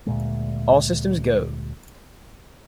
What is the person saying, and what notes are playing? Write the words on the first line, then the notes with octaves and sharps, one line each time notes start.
All Systems Go!
D2 A#2 G#3